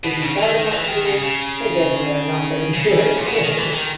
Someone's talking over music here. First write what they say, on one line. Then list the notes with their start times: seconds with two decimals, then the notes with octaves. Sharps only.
if you tell them what to do, they definitely are not going to do it, so
0.04 B2
0.22 C#3
0.38 D#3
0.54 D#3
0.71 E3
0.88 D#3
1.05 C#3
1.22 C#3
2.73 C#3
3.18 A#2
3.25 B2
3.33 C#3
3.40 D#3
3.57 E3
3.73 D#3